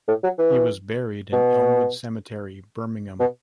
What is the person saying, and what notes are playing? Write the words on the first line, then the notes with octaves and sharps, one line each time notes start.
He was buried in Elmwood Cemetery, Birmingham.
A2
F#3
E3
B2
B2